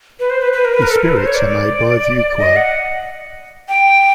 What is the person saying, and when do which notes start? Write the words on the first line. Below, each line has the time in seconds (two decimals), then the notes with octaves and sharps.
The spirits are made by VuQo.
0.20 B4
0.30 C5
0.42 B4
0.53 B4
0.65 A#4
0.74 B4
0.82 A#4
0.91 A4
0.99 A#4
1.08 B4
1.17 C5
1.26 C#5
1.34 D5
2.39 D#5
2.56 F#5
3.69 G5